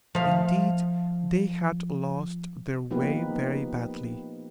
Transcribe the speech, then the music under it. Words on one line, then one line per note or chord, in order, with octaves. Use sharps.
Indeed they had lost their way very badly.
F3 F5
F3 A#3 B3 D#4 G4 B4